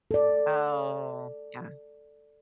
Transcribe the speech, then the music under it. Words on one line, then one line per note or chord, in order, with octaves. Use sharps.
Oh, yeah.
A4 D5